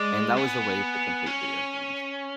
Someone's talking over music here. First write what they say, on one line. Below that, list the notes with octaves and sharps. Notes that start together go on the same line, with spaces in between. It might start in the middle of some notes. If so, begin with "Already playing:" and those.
and that was a way to complete video games,
Already playing: G#3 D5
B3 G#5
C#4